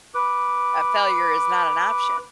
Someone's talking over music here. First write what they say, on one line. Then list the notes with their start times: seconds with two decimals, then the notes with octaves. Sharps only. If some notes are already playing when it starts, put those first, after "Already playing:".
uh, failure is not an option.
0.14 B4 D6